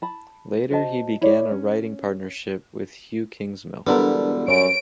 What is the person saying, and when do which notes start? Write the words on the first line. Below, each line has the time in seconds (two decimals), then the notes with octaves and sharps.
Later, he began a writing partnership with Hugh Kingsmill.
0.02 A5 B5
0.71 F#4 C5 D#5 A5
1.21 E4 C#5 D5
1.51 C#4
3.87 E1 D3 G3 B3 D4 A#4
4.48 F#2 C#5 D7